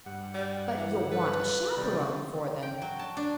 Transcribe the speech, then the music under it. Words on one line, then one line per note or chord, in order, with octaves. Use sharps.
"But you'll want a chaperone for them."
G2 F#5
G3
E3
A4 B4
C3 D#3 G3 D5
G5
F#3
A5
D4